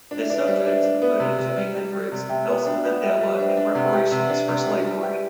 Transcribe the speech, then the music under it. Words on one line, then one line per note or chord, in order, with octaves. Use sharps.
His subjects included Jimi Hendrix, Nelson Mandela, and reparations for slavery.
D4 D5
E5
D4 B4 D5
G3 C5 E5
D4
D4
B3
C3
C3
G3
G3
G3
C3
C3 E5 G5
B3
D4
B3
F#5
G3 E5 G5
G3
B4
D4 C5
D5
D4
E5
C3 D5 F#5
G4
C3
D4
C3
D4
G3
G4